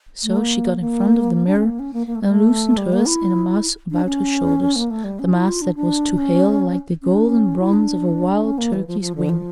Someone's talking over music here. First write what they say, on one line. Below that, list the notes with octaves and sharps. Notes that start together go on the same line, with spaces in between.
So she got in front of the mirror and loosened hers in a mass about her shoulders--the mass that was to Hale like the golden bronze of a wild turkey's wing.
A3
A#3
A#3
D4
C#4
A#3
C#4
A#3
A#3
A3
G3
A3
G3
A#3
E4
D4
C#4
A#3
A3
G3
C#4
E4
F4
D4
D4
C#4
C#4
D4
C#4
E4
D4
C#4
A#3
E3
F3
F3
D3
F3